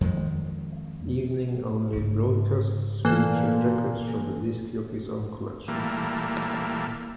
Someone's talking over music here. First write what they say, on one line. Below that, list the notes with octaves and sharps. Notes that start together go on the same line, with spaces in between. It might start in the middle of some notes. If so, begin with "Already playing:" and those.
Evening-only broadcasts featured records from the disc jockey's own collection.
F2 D#3 G#3
G#2 C#3
A#2 E3 A#3 A4
A#2 E3 G3 A3 A#3